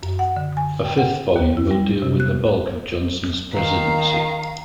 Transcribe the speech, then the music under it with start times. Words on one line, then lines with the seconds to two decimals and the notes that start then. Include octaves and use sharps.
A fifth volume will deal with the bulk of Johnson's presidency.
0.03 F#2
0.19 F#5
0.36 D3
0.57 G#5
0.85 G5
0.98 F#5
1.36 D#2
1.57 E4
1.71 G3
2.02 C3
2.20 F#6
3.54 D#3 F5 A#5